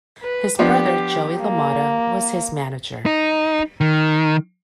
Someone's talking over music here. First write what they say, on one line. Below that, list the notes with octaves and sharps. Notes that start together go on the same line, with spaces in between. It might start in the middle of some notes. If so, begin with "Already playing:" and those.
His brother Joey LaMotta was his manager.
B4
F3 B3 D4 G4
A#3
D#4
D#3